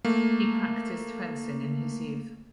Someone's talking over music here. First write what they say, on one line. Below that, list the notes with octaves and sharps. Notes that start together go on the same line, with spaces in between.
He practised fencing in his youth.
A3 A#3